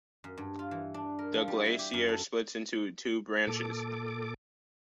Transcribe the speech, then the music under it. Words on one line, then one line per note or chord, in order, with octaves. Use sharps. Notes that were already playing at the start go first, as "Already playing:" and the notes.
The glacier splits into two branches.
F#2
G2
F4
E3
D4
A#4
F3
G3
E4
G4
F#2
A4
A#2 A4 D6